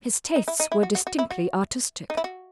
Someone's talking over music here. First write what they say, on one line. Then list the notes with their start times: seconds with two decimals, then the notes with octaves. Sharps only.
His tastes were distinctly artistic.
0.36 D#4
0.48 E4
0.60 D#4
0.72 E4
0.83 F#4
0.95 F#4
1.07 F#4
1.19 E4
1.31 F#4
2.10 D#4
2.17 E4
2.24 F#4